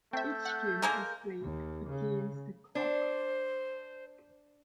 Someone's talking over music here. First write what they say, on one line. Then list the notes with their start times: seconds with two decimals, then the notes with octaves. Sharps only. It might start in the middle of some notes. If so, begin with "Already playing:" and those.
Each game is played against the clock.
0.13 A3 C4 E5 G6
0.45 F#5
0.82 G#3 A#3 A#4
1.42 D#2
1.90 C#3
2.75 D4 C5